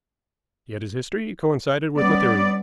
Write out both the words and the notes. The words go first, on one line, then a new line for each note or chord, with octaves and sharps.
Yet his history coincided with my theory.
G3 B3 C#4 D5